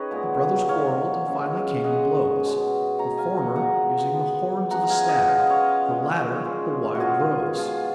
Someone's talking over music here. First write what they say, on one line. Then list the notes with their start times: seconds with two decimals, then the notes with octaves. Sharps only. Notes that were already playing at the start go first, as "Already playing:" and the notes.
The brothers quarrelled, and finally came to blows; the former using the horns of a stag, the latter the wild rose.
Already playing: D#3 C#4 G#4 B4 C#5 D#5
0.11 A#2 G#3 B3
0.69 A#2 G#3 B3 C#5 F5
1.27 C#3 G#3 C#4
1.84 C#3 G#3 C#4 D#5 F#5
2.41 B2 G#3 C#4
2.98 B2 G#3 C#4 F#5 A#5
3.17 F5 G#5
3.37 D#5 F#5
3.55 F3 G#3 B3 F#5 A#5
4.13 F3 G#3 B3
4.70 C#3 F3 G#3 B3 F#5 A#5
4.90 F5 G#5
5.09 D#5 F#5
5.28 C#3 F3 G#3 B3 F5
5.40 D#5
5.50 C#5 F5
5.86 A#2 G#3 C#4
6.43 A#2 G#3 C#4
6.95 F#4
7.00 F3 G#3 B3 F4 G#4
7.20 F4
7.58 F3 G#3 B3 F4 G#4